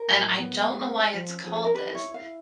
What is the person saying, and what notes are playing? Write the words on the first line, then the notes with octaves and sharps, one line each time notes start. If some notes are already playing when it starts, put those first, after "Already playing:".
And I don't know why it's called this.
Already playing: A#4
A2
F#3
B3
G#3
G#3
C4
G#3
F3
C#4
F3 G#4
C#4 A4
A#4
G4 B4
E4
C#5
E4
F5
E4